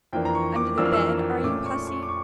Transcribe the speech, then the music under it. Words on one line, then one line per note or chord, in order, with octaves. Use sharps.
Under the bed, are you, hussy?
F2 E3 A#3 D4 G5
A#5
C#6
D6
F2 E3 A#3 D4 E6
F6
E6
A#2 A3 C#4 D6
C#6
C#6
D6
C#6